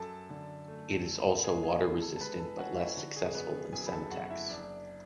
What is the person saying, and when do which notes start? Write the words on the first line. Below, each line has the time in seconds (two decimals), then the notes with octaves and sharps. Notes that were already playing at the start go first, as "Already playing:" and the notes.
It is also water resistant, but less successfully than Semtex.
Already playing: F#2 A4 A5
0.30 D3
0.68 A3
1.06 A3
1.44 G#3 G#4 G#5
1.63 G#4 G#5
1.82 C#3 G#4 G#5
2.01 A4 A5
2.16 A5
2.20 G#3 B4 B5
2.39 A4 A5
2.58 C#4 F#4 F#5
2.77 E4 E5
2.97 D3 F#4
3.16 G#4
3.35 F#2 B3 B4
3.73 F#2 G#4 G#5
3.86 B5
3.92 A4 A5
4.11 F#1 F#4 F#5
4.30 E4 E5
4.49 F#1 D4 D5